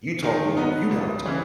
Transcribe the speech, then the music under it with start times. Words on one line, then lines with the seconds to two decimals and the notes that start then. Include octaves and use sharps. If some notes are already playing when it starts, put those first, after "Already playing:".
you talk when you wanna talk.
0.22 D#3
0.57 F#3 B3 D#4
0.91 C#2
1.26 C#3 E3